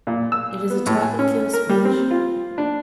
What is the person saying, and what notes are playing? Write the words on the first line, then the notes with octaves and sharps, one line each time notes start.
It is a type of kill switch.
A#2
E6
B3
A2
G#5
C#4
A#4
G3
C4
F4
D4